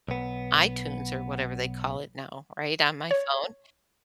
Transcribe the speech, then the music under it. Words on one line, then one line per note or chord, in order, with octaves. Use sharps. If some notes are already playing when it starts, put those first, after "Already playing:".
iTunes or whatever they call it now, right on my phone."
B1 B3
C#5